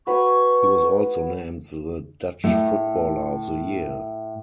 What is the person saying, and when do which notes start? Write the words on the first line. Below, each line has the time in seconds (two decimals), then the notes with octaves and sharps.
He was also named the Dutch Footballer of the Year.
0.07 F#4 B4 C#5 C#6
2.44 A2 A3